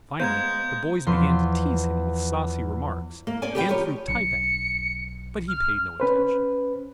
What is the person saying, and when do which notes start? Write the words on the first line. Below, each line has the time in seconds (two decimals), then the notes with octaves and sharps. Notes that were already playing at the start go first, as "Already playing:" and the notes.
Finally the boys began to tease him with saucy remarks, and threw type at him; but he paid no attention.
0.20 G#3 B3 C5 F5 A#5 G6 G#6
1.07 E2 F3 C6
3.27 A#3
3.42 C#4 D5 G#5
3.55 G4 A#4 B4 D5 G5
3.69 F3 G3 A#4 B4 C#5
4.08 B1 F#3 D4 C#7
5.48 F6
6.00 C#4 B4 C5